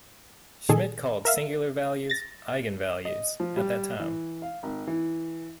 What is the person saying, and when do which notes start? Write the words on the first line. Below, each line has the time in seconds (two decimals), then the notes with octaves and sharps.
Schmidt called singular values "eigenvalues" at that time.
0.69 A#2 D#3 G#4 A4
1.25 A#4 E5 F5
2.10 A6 A#6
3.05 D#5
3.40 F3
3.57 G3
3.99 E3
4.42 F5
4.63 G#1
4.87 E3